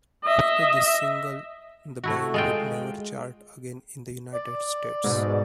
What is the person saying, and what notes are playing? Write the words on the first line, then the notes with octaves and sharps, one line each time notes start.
After this single, the band would never chart again in the United States.
D#5 E5
A3 E4 F#4
G#3 F4 G5
D5
G#2 B2